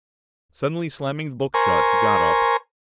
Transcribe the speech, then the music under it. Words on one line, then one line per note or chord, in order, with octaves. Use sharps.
Suddenly slamming the book shut, he got up.
A#4 C5 G#5 C#6